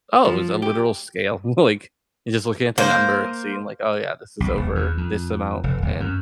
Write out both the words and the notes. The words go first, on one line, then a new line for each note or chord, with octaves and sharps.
Oh, it was a literal scale. Like, you're just looking at the number and seeing, like, "Oh, yeah, this is over this amount." And,
F3
G4
A#3 C5
B1
E1
E2
F2
F1
D1
F#2